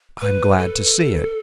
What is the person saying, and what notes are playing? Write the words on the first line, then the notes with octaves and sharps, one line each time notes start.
"I'm glad to see it."
B4
A4